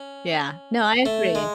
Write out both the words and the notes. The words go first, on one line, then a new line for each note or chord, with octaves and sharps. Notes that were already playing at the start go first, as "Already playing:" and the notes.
Yeah, no, I agree.
Already playing: C#4
A3
G#3